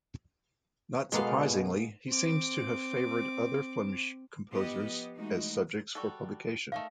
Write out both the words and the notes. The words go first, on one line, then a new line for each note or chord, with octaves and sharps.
Not surprisingly, he seems to have favored other Flemish composers as subjects for publication.
B2 G#3 A#3 B3 G#4 A4 F5
C4 D6
F3 B3 G4 D#5
E3 G#3 A3 D#4 F#4
G3 F#4 A4
A3 D#4 A#4 F5